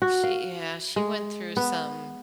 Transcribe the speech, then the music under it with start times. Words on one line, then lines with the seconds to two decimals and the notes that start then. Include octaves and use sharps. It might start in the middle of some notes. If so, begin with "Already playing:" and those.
she, yeah, she went through some,
0.02 F#4
0.24 F5
0.96 G#3
1.57 B3